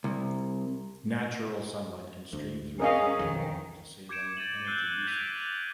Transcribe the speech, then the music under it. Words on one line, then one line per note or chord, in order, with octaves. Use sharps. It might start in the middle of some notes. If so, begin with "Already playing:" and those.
Natural sunlight can stream through the curtain wall to save on energy usage.
C2
D2
C#4 G#4 A#4 D#5 F5
B1 F2 D#3
D6 G6 G#6 C#7 D7 E7
G#6 A6 D7 D#7 F#7
E6 F#6 G6 C7 D#7 G7
F6 F#6 G#6 B6 D#7 F7
A6 D7